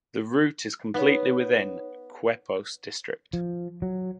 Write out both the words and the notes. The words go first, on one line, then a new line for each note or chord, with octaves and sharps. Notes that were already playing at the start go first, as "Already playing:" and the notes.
The route is completely within Quepos district.
B3 D#4 C#5
F3
F#3